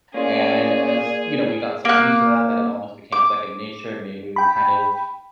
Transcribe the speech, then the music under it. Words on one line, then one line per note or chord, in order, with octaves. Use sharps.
And as you know, we got so used to that that it almost became second nature, may we would kind of
A#3 C#4 F4 G#4 D5
A#3 F#6
D6
G5 B5